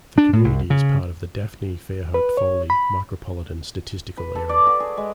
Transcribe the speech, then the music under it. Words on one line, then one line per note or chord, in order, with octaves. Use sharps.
The community is part of the Daphne-Fairhope-Foley Micropolitan Statistical Area.
D4
A2
C2
C#3
B4
C#5
B5
B4
A4
D5
F#4
G#4
G#3